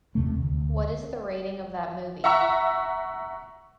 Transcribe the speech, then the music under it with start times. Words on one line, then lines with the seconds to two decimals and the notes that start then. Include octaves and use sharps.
What is the rating of that movie?
0.15 D#2 C3 A3
0.42 D2
2.24 E5 F#5 A#5 C#6 E6